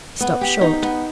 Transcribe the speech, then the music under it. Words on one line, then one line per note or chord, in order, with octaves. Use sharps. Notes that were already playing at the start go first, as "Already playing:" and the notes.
He stopped short.
B3
G4
D#4
B3